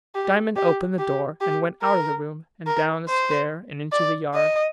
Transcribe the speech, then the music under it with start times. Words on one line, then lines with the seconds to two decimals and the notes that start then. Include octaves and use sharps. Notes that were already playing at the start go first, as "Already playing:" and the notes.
Diamond opened the door, and went out of the room, and down the stair and into the yard.
0.15 G4
0.57 G4
0.99 G4
1.41 G4
1.83 A#4
2.67 A#4
3.09 C5
3.92 D5
4.34 D#5